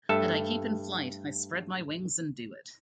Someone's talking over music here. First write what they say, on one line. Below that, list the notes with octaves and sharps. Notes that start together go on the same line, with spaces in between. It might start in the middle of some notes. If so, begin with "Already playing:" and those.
And I keep in flight-I spread my wings and do it.
G2 A3 A4 E5 A5